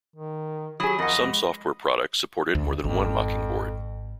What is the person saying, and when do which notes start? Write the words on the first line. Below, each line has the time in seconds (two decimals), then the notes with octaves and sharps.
Some software products supported more than one Mockingboard.
0.16 D#3
0.80 F#3 G4 G#4 B5 D#6
0.99 F2 A#4 D#5 F#5
1.17 G#3
2.55 D2
2.84 G#1 F2